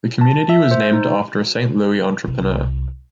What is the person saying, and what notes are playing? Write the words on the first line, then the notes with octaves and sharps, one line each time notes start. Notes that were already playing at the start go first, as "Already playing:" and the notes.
The community was named after a Saint Louis entrepreneur.
A5
E5
C5
D#4
C2